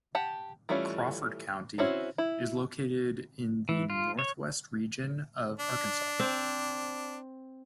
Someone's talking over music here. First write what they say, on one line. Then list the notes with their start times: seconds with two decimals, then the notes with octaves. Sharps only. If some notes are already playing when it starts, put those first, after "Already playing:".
Crawford County is located in the northwest region of Arkansas.
0.15 G4 F#5 A5
0.69 E3 G3 A3 C#4 F4
1.78 C4 C#4 E4 F#4
2.18 E4
3.69 E3
3.90 F4
4.19 C#5
5.60 D4
6.20 C4